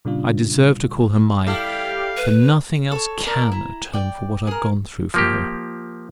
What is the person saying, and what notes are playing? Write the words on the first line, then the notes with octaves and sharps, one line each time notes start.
I deserve to call her mine; for nothing else CAN atone for what I've gone through for her.
A#2 C#3 G3 D4 F4
G3 E4 G4 A4 F5
B4
A4 C#5
A#4 D5 A5
E4 A#5
D5 G5
G#4 A#4
F3 A#3 G4